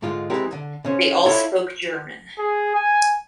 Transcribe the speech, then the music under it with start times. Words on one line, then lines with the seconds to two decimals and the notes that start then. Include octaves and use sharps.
They all spoke German.
0.02 G#2 D3 G#3 F4
0.30 E3 G#3 C4 G4 A#4
0.53 D3
0.85 C#3 C#4 C5
1.26 D4 E4 F4 A4 C#5 F5
2.38 G#4
2.75 G#5